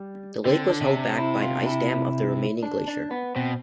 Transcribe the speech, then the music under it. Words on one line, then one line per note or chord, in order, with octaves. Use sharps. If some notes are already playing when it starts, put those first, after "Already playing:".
The lake was held back by an ice dam of the remaining glacier.
Already playing: G3
D3 C4
D4
C3
D4
E4
F4
D4
E4
D4
D4
B3
B2 C4